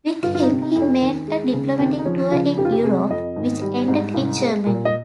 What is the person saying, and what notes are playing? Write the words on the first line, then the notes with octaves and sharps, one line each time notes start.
With him, he made a diplomatic tour in Europe which ended in Germany.
G1 F4
F4
D#4
C3
D#4
F2
C#4
D#2
G#3
C#3
D#2 C4
D#4
F3 C#4
C#3 F4
F1 G4
F4
G4
C3 G#4
F2 D#5
G#1
G3
G#2
C2
G#3
A#2
D#5